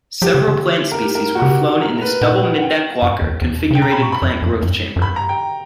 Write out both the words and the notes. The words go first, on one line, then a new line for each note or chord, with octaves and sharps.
Several plant species were flown in this double middeck locker configurated plant growth chamber.
F#3 G4
D3
D3
A#4
G4
A#4
F#4
C#3 G4
A#4
A#4
B4
A#2 F#5
F#5
G5
G2
E2
E2
C#3 G5
B2 A#5
B5
A#2
C#6
G2 B5
F#2
F#2
F#2
F#2
G2 B5
A#5
G5